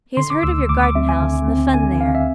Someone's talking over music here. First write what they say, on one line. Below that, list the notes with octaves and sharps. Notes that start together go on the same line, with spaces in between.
He has heard of your garden-house and the fun there.'
D3 C6
D6
D2 E6
D2 D6
D6
C4 E5
G#5
D3
C4
D3 G#5
C4 F5
E5